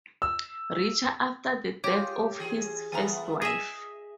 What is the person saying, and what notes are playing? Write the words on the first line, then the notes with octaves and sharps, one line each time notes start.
Richer after the death of his first wife.
E6
F4 G4 G#4 C#5 A#6
E3 G#4
E3 A3 B3 G#5 A#5
G#4 D#5 E5